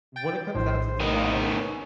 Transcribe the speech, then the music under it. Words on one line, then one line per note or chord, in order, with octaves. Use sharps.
When it comes down to tamales,
G5 G6 A6
A#1 A2 C5
D#3 B3 D#5
C#4